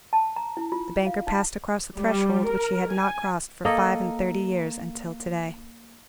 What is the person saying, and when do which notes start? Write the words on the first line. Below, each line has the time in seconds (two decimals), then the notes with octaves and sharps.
The banker passed across the threshold, which he had not crossed for five-and-thirty years until to-day.
0.13 A5
0.36 A#5
0.57 E4
0.72 F4
1.07 F5
1.27 D#4
1.97 G3
2.47 A#4
2.91 G#5
3.65 A#3 A4 D#5